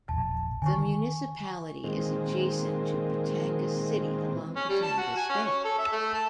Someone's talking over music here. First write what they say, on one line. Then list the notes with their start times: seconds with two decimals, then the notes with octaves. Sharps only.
The municipality is adjacent to Batangas City, along Batangas Bay.
0.09 E1 A#1 A5
0.62 D3 D#3 G#5 C#6
1.84 A#2 D#3 G#3 C4
4.56 C#4
4.69 G3
4.83 A5
4.98 F#4
5.17 G#5
5.29 C#4
5.46 C#5
5.65 A4
5.79 E5
5.92 A3
6.14 A5